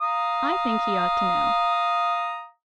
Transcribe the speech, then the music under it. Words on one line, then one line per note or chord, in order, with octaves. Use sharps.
I think he ought to know.
F5 A#5 D#6